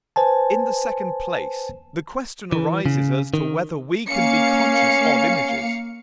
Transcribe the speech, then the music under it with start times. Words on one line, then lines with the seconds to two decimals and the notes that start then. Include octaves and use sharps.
In the second place, the question arises as to whether we can be conscious of images.
0.16 B4 C5 G#5 A5
2.52 E3
2.86 C#3
3.34 D#3
4.08 A#3 C#4 F5 C#7